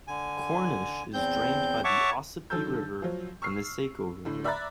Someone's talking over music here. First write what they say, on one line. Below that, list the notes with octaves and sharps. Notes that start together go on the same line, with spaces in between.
Cornish is drained by the Ossipee River and the Saco River.
D3 G#5
E2 C4 G6
C#5 E5 F#5 A5 C#6 D6
D3 D#3 F#3 A4 E6 G6
F3 F#3
C#6 E6 F6 C7
A2 D3
D5 E5 A#5 B5 F#6 A6